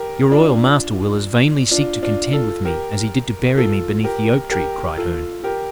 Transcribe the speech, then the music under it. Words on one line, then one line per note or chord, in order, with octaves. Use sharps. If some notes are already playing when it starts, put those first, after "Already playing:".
"Your royal master will as vainly seek to contend with me as he did to bury me beneath the oak-tree," cried Herne.
Already playing: G4 A#4
D4 F4
D4 F4
D4 F4
F4 A4
G4 A#4
F4 A4
G4 A#4
G4 A#4
F4 A4
G4 A#4